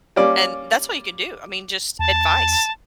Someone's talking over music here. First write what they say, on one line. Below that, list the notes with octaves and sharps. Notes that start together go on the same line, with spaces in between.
and, that's all you can do, I mean, just advice.
G3 A#3 C#4 D5
E2 A5